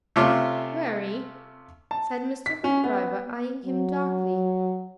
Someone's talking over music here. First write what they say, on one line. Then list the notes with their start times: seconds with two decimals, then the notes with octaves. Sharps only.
"Very," said Mr. Hoopdriver, eyeing him darkly.
0.16 C3 A3 C#4 F4 F5 D6
1.91 A5
2.46 B6
2.64 C#4
2.84 B3
3.66 F#3